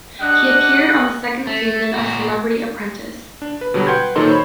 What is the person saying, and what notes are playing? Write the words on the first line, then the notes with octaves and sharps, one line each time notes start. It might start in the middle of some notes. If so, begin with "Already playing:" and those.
He appeared on the second season of "Celebrity Apprentice".
G3 D4 D#5 F#5 F#6
A3
A#2 F#4
D4
B4
B2 D3 F#3 G3
B4 F#5 G5 C6 G6 G#6
A#2 D#3 F#3 D#4 A4 C6
C5 C#5 B5